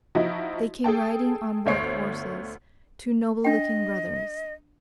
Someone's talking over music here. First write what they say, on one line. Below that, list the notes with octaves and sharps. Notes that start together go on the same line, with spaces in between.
They came riding on white horses, two noble-looking brothers.
F3 D#4 E4 F#4 D#5
G#4 A4 G5 A5
G1 D2 C5 C#5 C7 D7
D4 D#5 G5